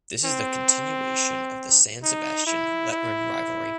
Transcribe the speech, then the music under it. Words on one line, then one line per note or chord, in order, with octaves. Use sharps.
This is the continuation of the San Sebastian–Letran rivalry.
C4
D#4
E4
E4